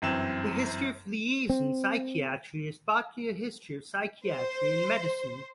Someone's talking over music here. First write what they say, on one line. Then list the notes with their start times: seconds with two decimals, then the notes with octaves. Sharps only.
The history of liaison psychiatry is partly a history of psychiatry and medicine.
0.02 G1 F#2 E3 C4 E7
1.50 C4
4.27 C5